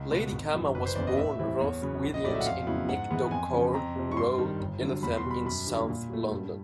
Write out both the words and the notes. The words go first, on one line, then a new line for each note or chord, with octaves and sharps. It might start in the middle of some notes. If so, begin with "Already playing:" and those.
Lady Khama was born Ruth Williams in Meadowcourt Road, Eltham in south London.
Already playing: C#2
B2 G#3 B3
G#1
F#2 D#3 F#3
F#1 B4
C5
E2 C#3 E3 D5
D#5
A2 E5
E3 G3 C4 E4
E2 C#5
C#3 F#3 B3
A#1
D#5
A2 F#3 A3 C#4 D5
E5
F#5
F2 F5
C#3 F#3 B3 E4
G#2 F#5
E3 G#3 B3
F2 G#5
C#3 F3
F2 A#5
C3 F3
C#6
G2 C6
D#3 G3
G1
G2 D3 F#3
E2 B5
C6
B2 G3
B5
F#2 B5
D3 G3 A#3 D4
A#2
F#3 A3
G2